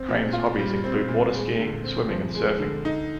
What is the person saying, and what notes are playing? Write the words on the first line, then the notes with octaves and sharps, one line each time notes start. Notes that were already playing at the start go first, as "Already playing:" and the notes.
Crane’s hobbies include water skiing, swimming and surfing.
Already playing: C4
A#2
F4
G3
C4
A#2
G#3
D3
C4
F3
G#3
D3
D#4